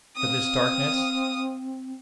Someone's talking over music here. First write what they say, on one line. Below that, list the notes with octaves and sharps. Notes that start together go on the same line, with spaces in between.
"But this darkness?"
C4 F5 D#6